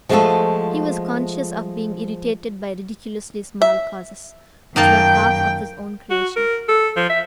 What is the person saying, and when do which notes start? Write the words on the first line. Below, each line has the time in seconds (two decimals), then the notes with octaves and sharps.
He was conscious of being irritated by ridiculously small causes, which were half of his own creation.
0.09 F3 G#3 A3 F4 F#4 A4
3.62 E5
4.76 F#2 D#3 A#3 G5 A5
6.10 F#4
6.36 A#4
6.68 A4
6.96 F3
7.10 E5